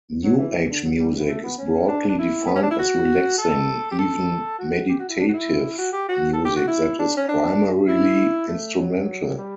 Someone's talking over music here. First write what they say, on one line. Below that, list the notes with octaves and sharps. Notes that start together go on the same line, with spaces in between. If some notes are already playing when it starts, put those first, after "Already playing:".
New-age music is broadly defined as relaxing, even "meditative", music that is primarily instrumental.
F#3
E3
E3
D3
F#3
G3
B3
A3
B3
C#4
D4
D4
E4
B3
C#4
D4
E4
F#4
A4
G4
A4
F#4
G4
F#4
E4
D4
F#4
E4
F#4
G4
F#4
A4
G4
F#4
E4
D4
C#4
D4
E4
A3
F#3
G3